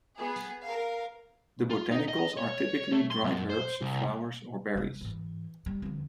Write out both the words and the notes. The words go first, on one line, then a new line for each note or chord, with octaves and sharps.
The botanicals are typically dried herbs, flowers or berries.
B3 G#4
A#4 F5
F4
D#4
D#5
C#5
A3
C6
F#2
C5
C2
C3 G#3
G#2 E3
G3
F2 D3